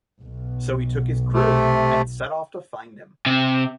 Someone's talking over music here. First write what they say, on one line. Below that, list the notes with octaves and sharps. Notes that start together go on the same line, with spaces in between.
So he took his crew and set off to find him.
B1
C3 A3
C3